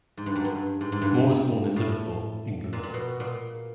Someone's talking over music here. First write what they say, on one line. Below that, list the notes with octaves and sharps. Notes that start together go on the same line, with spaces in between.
Moore was born in Liverpool, England.
G#2
G2
F#2
G2
G#2
G#2
G2
A2
A#2
A#2
B2
A#2